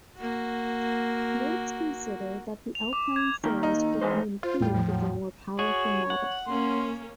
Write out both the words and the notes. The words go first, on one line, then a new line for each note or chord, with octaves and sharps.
Rootes considered that the Alpine's sales would be improved with a more powerful model.
A#3 F#4
F7
D6
G#6
D#3 A#3
D#4
E3 G#3 C5
F4 C5
E2 A2 G3 G5
F3
F#3
F#4 G#4 C#5
F#5
A#3 C#4 C6